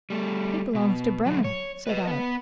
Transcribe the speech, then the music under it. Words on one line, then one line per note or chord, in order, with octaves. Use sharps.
"He belongs to Bremen," said I.
G3 A3
B2
D3 F#3
C#5
B4 D#5
B3 B4